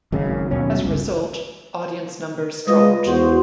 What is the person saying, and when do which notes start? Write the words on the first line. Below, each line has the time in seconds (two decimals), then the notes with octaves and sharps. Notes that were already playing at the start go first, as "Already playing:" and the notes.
As a result, audience numbers dropped.
0.12 G#1 F#2 C#3
0.51 D#2 B2 F#3 C#4
0.79 G1 C#2
2.67 G#3 F4 B4 D#5
3.07 E2 F#4 C5